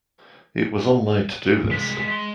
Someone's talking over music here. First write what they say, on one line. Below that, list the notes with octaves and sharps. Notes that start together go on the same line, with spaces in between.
It was on my to-do list.
C2 G#3 B6
G#3 C6